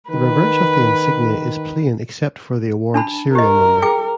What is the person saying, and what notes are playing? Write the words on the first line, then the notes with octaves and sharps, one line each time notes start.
The reverse of the insignia is plain except for the award serial number.
D#3 B4
D4 A5 B5
G4 A#4 D#5
G#4 G5 D6